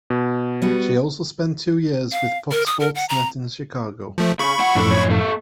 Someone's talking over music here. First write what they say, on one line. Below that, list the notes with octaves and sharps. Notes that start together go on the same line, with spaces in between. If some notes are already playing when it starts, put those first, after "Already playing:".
She also spent two years with Fox Sports Net in Chicago.
B2
G3 B3 F#4
F5
A#4
D#6
A#4
F#5
A#5
F3 A3
C#3 B5 C#6
F3 F#5
F#2 A2 D3 F3 A4
C2 C#5
A#3 A4